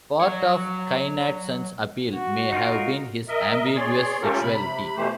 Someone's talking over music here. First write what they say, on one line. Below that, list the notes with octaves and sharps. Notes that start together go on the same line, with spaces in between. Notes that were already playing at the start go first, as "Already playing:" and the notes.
Part of Kynaston's appeal may have been his ambiguous sexuality.
F#3 C#5
F#4
D#4 F4 A#4
A#4 D#5 E5
G#4 C#5 D5 C6
A3 C#4 F4 G4 A4 A#4
C3 B5
B2 E3 A3 G4 C5